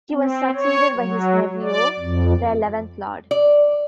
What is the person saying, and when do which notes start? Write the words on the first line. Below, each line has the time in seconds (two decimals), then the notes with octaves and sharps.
He was succeeded by his nephew, the eleventh Lord.
0.11 C4
0.55 C#5
0.97 F#3
1.63 D5
2.00 F2
3.31 D5